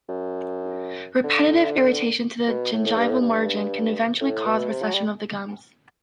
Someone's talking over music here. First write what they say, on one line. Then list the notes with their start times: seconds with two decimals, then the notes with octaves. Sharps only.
Repetitive irritation to the gingival margin can eventually cause recession of the gums.
0.09 F#2
1.24 D3
2.47 B2
2.73 A2
2.86 A2
2.97 G2
3.10 A2
3.21 G2
4.21 A2
4.45 B2
4.70 C3
4.82 F#3
4.95 G3